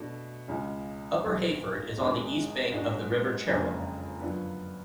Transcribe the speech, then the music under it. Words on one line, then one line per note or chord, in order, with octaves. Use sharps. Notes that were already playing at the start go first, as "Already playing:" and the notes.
Upper Heyford is on the east bank of the River Cherwell.
Already playing: B2 A3 D4
C#2 C#3 G#3
B1 B2 A3
G#1 G#2 G#3 D4 G#4
G#2 G#3 D4 F#4
F#1 F2 C#3 G#3 D4
F#2 D3 F3 B3 D4